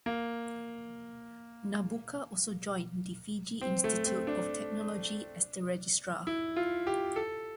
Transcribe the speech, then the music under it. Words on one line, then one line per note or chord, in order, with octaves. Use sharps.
Nabuka also joined the Fiji Institute of Technology as the Registrar.
A#3
C4
A3
C4
D4
E4
F4
G4
A4